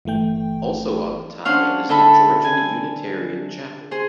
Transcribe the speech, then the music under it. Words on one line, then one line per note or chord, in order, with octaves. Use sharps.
Also on the Tye is the Georgian Unitarian Chapel.
G1 E3 A3 G5
C#4 D4 C5 F5 F#5 F6
D3 D4 A4 E5 A5 B5
G#5
G#4 C5